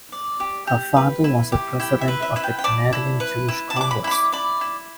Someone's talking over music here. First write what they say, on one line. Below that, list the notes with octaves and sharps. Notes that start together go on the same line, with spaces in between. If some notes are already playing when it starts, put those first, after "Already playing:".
Her father was a president of the Canadian Jewish Congress.
D5
G4
G4
B4
E4
G4
E4 G5
E5
B4
E5
E4 E5
G5
G5
D5 A5
E4
B4
E4
A5
D5 D6
B5
E4 B5
D6
D5 B5
E4